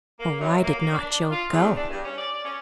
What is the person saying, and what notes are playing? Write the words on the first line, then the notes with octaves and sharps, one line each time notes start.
Or why did not Job go?
A#3
F#2
A#3
A#3
D4
F4
E2
D4
G2
C#4
D5
C#4